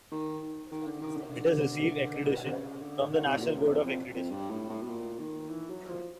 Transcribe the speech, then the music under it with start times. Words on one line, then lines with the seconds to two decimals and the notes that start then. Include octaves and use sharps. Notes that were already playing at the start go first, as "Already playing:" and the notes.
It has received accreditation from the National Board of Accreditation.
0.12 D#3
0.71 D#3
0.87 D3
1.01 D#3
1.16 D3
1.23 D#3
1.31 D3
2.44 C3
2.51 C#3
2.81 D3
3.11 D#3
3.26 C3
3.36 A2
3.41 A#2
3.56 F#2
3.71 E2
3.84 F2
4.15 F2
4.30 G2
4.50 A2
4.69 A2
4.82 B2
4.89 A#2
5.19 D#3
5.49 E3
5.70 F#3
5.89 F3